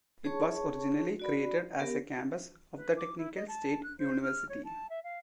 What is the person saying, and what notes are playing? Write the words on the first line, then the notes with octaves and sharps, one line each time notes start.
It was originally created as a campus of the Technical State University.
G#4 C#5 A5 C#6
F#4 D5 B5
B3 G4 A#4
B4
D6
E4
D#5
A5
F#6
C5
F6
C#5
A5
E5
F5